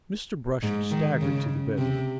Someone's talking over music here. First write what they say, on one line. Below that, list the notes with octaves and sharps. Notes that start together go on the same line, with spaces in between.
Mr. Brush staggered to the bedroom.
G#2
D#3
C#3
C3